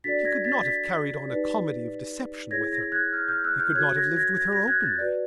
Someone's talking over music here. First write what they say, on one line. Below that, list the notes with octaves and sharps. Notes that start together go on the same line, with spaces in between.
He could not have carried on a comedy of deception with her; he could not have lived with her openly.
D4 F#4 A4 D5 A6 B6
G#6 A#6
A6 B6
A6 B6
D#4 G4 B4 D5
E4 G#4 C#5 G#6 A#6
G#6 A#6
F#6 G#6
F6 G6
F6 G6
E6 F#6
F6 G6
F#4 A4 C#5 F#6 G#6
G#6 A#6
G#6 A#6
G#6 A#6
G#6 A#6
F#6 G#6
G6 A6
F#4 B4 D5